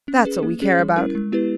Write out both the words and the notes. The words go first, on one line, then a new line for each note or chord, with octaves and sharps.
That's what we care about.
C#4
G#4 B4
A#3
C#4 G#4 C#5
G3
C#4 E4 A#4
G#3
B3 E4 G4 B4